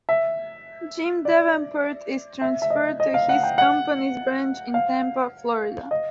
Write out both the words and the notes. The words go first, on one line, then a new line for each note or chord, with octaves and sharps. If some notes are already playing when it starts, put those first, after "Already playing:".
Jim Davenport is transferred to his company's branch in Tampa, Florida.
E5
D5
E5
E5
D#5
D#5
F5
F#5
G5
F#5
F5
D#5